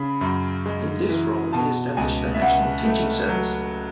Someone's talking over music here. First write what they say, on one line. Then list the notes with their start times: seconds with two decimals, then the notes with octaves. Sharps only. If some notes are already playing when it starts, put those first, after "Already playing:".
In this role he established the National Teaching Service.
Already playing: C#3 B5
0.21 F#2
0.66 G#3
1.09 E3
1.53 B2 A5
1.97 C#2 G#5
2.34 E5
2.41 C#2 F#5
2.85 A3
3.29 F#3